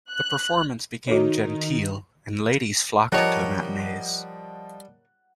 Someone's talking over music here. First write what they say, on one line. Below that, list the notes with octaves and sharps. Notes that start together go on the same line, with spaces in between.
The performance became genteel, and ladies flocked to the matinees.
F#6
D#3 D#4 F#4 A4 C#5
F3 G3 A#4 C#5 D#5 F#5